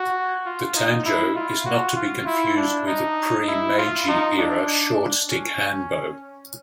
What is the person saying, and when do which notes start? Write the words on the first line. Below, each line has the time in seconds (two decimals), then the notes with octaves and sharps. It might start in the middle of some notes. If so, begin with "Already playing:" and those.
The tanjo is not to be confused with the pre-meji era short stick hanbo.
Already playing: F#4
0.46 F4
0.76 D#4
1.06 E4
1.36 F4
1.66 F#4
1.96 F4
2.27 E4
2.57 D4
2.88 D#4
3.48 E4
3.78 F4
4.08 D#4
4.38 D4
5.29 C#4